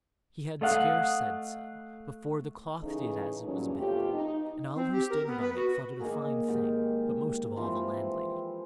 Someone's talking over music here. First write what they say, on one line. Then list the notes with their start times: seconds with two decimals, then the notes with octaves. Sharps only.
He had scarce said so before the cloth did as it was bid; and all who stood by thought it a fine thing, but most of all the landlady.
0.61 A3 A4 D#5 F5 F#5
2.80 C#3 E3 A3 D#4
3.44 G2 A#2 C#3 E3 F#3 C#4
3.77 F2 B2 A3 F4 G4
4.12 D#4
4.75 C4
4.92 G4
5.10 A#4
5.26 B3
5.41 B4
5.56 F#4
6.00 D#3 A#3 G#4 A#4
6.48 G#2 G4 A#4
7.56 E3 F3 C4